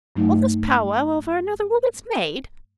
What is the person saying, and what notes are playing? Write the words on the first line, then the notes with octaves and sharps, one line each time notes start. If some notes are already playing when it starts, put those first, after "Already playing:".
"All this powwow over another woman's maid!"
G2 F#3 A3 D#4